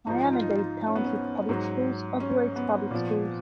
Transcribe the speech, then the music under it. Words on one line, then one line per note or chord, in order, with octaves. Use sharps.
Miami-Dade County Public Schools operates public schools.
G#2 F3 D#4
F4
D#4
F4
D#4
F4
D#4
C#4
B3
C#4
G#2 F#3
C#4
B3
A#2 F3